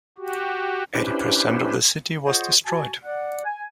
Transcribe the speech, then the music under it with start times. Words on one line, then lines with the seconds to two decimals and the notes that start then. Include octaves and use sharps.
Eighty percent of the city was destroyed.
0.18 F#4 G4
0.95 C#4 D4 E4 G4 B4 C5
2.25 F4 G#4 C5 C#5 D#5 F#5
2.65 F#4 G#5 A5
3.03 D5 F#5
3.44 G#5